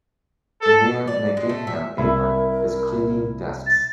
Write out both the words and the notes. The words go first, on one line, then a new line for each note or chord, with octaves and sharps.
A man in a gingham apron is cleaning desks.
A4
D5
G#3
A3
E5
C2 E4 A#4
A6